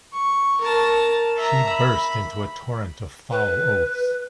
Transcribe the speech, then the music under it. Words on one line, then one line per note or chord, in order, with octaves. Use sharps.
She burst into a torrent of foul oaths.
C#6
A#4 A5
E5 A#5
B5
B4